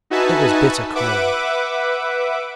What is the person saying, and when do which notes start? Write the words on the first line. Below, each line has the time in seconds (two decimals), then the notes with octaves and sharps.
It was bitter cold.
0.10 D#4 F#4 B4 E5 G#5 A5
0.95 B4 E5 F#5 D6